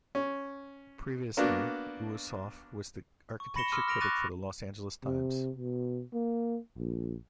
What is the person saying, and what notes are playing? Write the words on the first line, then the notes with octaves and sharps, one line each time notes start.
Previously, Ouroussoff was the architecture critic for the "Los Angeles Times".
C#4
A#3 B3 D4 F#4
C#6
B5 A#6 C#7 E7 G7
B5 C6 D6 E6 F6
F6 A#6 D7 F7
C#6 D6 F#6 A6 A#6 D#7
C3
B2
A#3
A#1